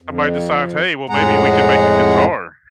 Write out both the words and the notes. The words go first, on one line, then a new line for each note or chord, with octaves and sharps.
somebody decides, "Hey, well, maybe we can make a guitar."
F2
F2 A2 G#3 G#4 F#5 A#5